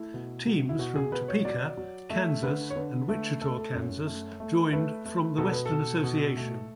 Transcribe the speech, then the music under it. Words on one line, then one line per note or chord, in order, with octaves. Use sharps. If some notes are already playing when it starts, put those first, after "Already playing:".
Teams from Topeka, Kansas, and Wichita, Kansas, joined from the Western Association.
Already playing: A3 E4
B2
B2
E4
B2 F#4
G#4
B2 B4
C#5
F#3 D5
F#3
A3 E5
D3 B4
C#5
D3 B4
A3
A3 A4
A4
F#2
A3
A3
A3 B4
A3
B2 A4
B4
A4
B2
B2
A3